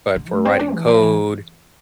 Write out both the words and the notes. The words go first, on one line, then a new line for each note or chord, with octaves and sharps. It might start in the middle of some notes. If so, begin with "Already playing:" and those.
but for writing code,
D3
A3
C4
D4
E3
F3
E3